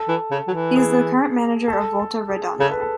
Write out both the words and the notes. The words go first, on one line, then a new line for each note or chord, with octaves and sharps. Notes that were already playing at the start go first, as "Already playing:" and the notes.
He is the current manager of Volta Redonda.
Already playing: A4
E3
C#3
F#3
E3
G#4
A4
A4
G#4
C#3 A4
B4
A4